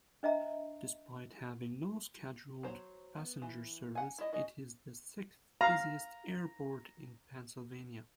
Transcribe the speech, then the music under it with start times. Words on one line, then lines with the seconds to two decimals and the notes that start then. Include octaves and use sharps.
Despite having no scheduled passenger service, it is the sixth-busiest airport in Pennsylvania.
0.23 D4 D#5 E5 A#5
2.63 F#3 C5 C#5
3.17 B3
3.42 E3
3.95 F#5 G#5
4.18 E4 D#5
4.33 F#4 G#4 D#5
5.61 F5 A#5